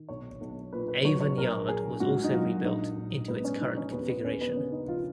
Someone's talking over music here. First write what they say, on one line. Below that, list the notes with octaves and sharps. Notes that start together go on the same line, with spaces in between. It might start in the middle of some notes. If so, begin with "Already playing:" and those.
Avon Yard was also rebuilt into its current configuration.
Already playing: D#3
B1 C#5
B1
A#2 B4
B4
F#3 C#5
C#5
A#1 A#4
A#1 G#4
G#2 F#4
D#4
F#3 F4
A#1 D#4
A#1
G#2 B3
C#4
F3 D#4
C#4
D#2 B3
B3
D#2 C#4
B3
C#3 C#4
D#4
F3 F4